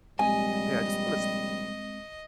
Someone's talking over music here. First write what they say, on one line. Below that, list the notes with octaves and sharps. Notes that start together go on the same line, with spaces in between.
Hey, I just wanna s
A#1 C3 G3 G#3 C4 D#5 G#5